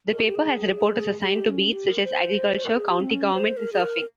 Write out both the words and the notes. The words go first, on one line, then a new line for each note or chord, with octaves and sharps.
The paper has reporters assigned to beats such as agriculture, county government and surfing.
A#4
G#4
G4
G#4
G#4
G4
C#4
G4
A#4
C5
A#4
G#4
G4
C4
C#4
C5
A#4
G#4
A#4